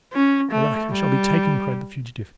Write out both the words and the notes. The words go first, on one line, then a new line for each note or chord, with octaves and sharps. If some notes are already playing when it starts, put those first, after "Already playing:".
"Alack, I shall be taken!" cried the fugitive.
C#4
A3
G3